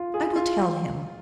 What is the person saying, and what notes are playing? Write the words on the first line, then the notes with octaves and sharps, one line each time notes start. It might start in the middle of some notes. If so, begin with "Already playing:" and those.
"I will tell him."
Already playing: F4
G#4
F4